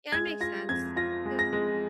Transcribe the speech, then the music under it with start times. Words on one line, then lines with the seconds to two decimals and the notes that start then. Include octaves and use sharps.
Yeah, that makes sense, yeah.
0.12 G#3 G#6
0.41 F4 A#6
0.69 F2 G#6
0.96 F4 A#6
1.25 G#3
1.39 A#6
1.53 G#3